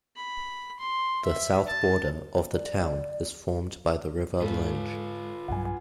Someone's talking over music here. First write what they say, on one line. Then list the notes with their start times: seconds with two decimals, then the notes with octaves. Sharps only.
The south border of the town is formed by the river Linge.
0.16 B5
0.79 C6
1.25 E5
1.67 A5
2.53 D5
4.42 G#2 F4 A4 B4
5.48 B1 G2 F#3 F#5 G#5